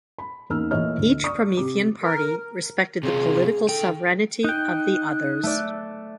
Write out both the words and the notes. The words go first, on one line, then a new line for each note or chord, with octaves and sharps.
Each Promethean party respected the political sovereignty of the others.
B5
E2 A#3 C#4 D#4 E6 F6
A#2 E3 A3 C#5 D#5 F6
D2
D5 C#6 D#6
C3 G4 D6
A#4
C3 C#4 F4 G#4
D#3 A4 G5
D#4 G5 F#6
A3 D5